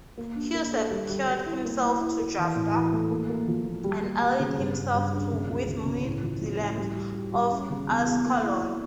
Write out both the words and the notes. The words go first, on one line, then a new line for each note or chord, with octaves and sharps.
Hugh secured himself to Jaffa, and allied himself with the Muslims of Ascalon.
A#3
D4
A#3
A4
G3
G3
G3
E4
A#3
E4
E4
A#4
E3
A2
E3
A3
A#3
A#3
F3
A#3
G3
A#3
G3
C#3
G2
G2
G2
D4
C#3
C#2
C#3
C#3
A2
F3
F3
A2
G3
G3
G4
G3
C#4
C#3
E2
E2
A#3
E4
E4